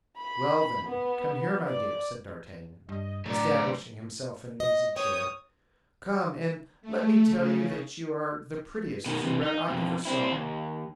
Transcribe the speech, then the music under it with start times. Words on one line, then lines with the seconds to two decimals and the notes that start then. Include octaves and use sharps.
"Well, then, come here, my dear," said d'Artagnan, establishing himself in an easy chair; "come, and let me tell you that you are the prettiest SOUBRETTE I ever saw!"
0.18 B5
0.87 B3
1.68 D5
2.89 G2 D#5
3.26 A2 D3 F#3 A3 B3 D5 A#5
4.60 D#5
4.96 C#5 G5 D#6
6.81 A3
7.25 C#3
9.06 B2 D#3
9.23 C3 E3
9.43 D#4
9.68 F2 B2
10.05 C4 E4
10.32 D#2